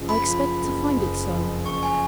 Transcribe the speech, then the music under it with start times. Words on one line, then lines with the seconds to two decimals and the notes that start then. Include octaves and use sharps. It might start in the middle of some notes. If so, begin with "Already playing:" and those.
I expect to find it so.
Already playing: F#1 F3
0.09 B5
0.27 F3
0.61 F#1
0.96 F#1
1.31 F2
1.65 F#1 C#6
1.83 G#5